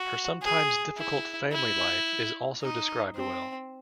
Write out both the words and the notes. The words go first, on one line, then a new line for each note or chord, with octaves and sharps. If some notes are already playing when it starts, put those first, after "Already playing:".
Her sometimes difficult family life is also described well.
Already playing: F#4
G#4
E4
E4
D#4
C4